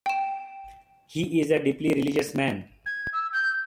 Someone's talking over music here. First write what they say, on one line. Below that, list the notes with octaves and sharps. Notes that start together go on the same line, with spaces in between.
He is a deeply religious man.
G5 E7
G#6
E6
G6